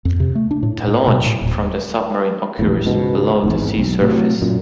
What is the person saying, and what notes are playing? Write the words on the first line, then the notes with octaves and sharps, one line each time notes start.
The launch from the submarine occurs below the sea surface.
F2
C3
A3
D4
A2
A2
B2
A2
D#1
A#1 E2 A2
C#2 G#2 B2
G#1 E2 G#2
B1
A2 C3 F#3
F#2 A#2